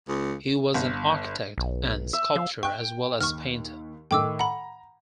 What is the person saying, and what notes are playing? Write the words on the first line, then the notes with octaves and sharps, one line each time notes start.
He was an architect and sculptor as well as painter.
C#2
G1
B1
E5
F3 F5
G5 C#6 F#6
D#2 C#6 F6
A2 D#3 G5 D6 E6
F#5 A#5 B5